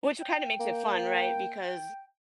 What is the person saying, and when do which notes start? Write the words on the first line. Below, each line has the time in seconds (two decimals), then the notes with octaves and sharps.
Which kinda makes it fun, right? Because,
0.20 G5
0.60 A#3